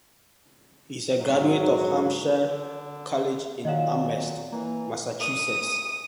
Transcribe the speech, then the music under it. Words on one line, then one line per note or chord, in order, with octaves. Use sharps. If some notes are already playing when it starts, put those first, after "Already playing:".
He is a graduate of Hampshire College in Amherst, Massachusetts.
G#2 F#3
D3
A#2 D#3 F#3 D#5 F5 F#5 E7
E3 A#3
D#6